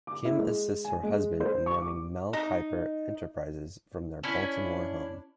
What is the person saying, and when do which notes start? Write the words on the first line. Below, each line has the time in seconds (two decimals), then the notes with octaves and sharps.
Kim assists her husband in running Mel Kiper Enterprises from their Baltimore home.
0.07 D6
0.25 E4
0.38 G#3
0.85 G#5
1.03 G#3
1.40 C5
1.66 C#6
1.82 D6
2.33 D#4
4.24 C#4 D4 E4